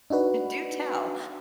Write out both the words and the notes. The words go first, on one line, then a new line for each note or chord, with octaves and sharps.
Do tell.
D4 D#4 F#4 B4